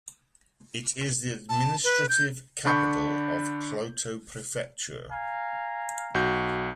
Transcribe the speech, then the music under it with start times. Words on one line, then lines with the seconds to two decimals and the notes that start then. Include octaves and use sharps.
It is the administrative capital of Kloto Prefecture.
1.49 A5
1.84 B4
2.09 G6
2.65 D3 D4 B5 C#6 G6
5.11 F5 G#5 A#5
6.15 B1 F#4 G6